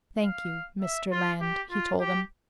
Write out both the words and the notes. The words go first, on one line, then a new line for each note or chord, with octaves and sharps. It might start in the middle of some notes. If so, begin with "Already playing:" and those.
"Thank you, Mr. Land," he told him.
F5
E5
F4
G4
F4
G4